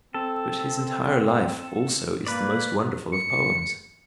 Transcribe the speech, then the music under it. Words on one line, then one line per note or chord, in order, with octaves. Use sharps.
But his entire life also is the most wonderful of poems.
C4 A4
A#3 B4 D5
C#7